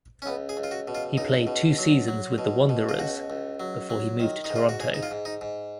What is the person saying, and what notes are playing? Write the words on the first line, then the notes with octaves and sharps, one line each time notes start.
He played two seasons with the Wanderers before he moved to Toronto.
C#4
C#2 B3
G#4
C#2
F4
F#4
B2
F4
C#2 D#4
B2
F#3
F#3
B2
B2
F4
C#2 F#4
C#2
F#3
F#3
D#3
D#4
G#2
F4
F#4
G#2 G#4
D#4
F4
G#2
D#4
G#2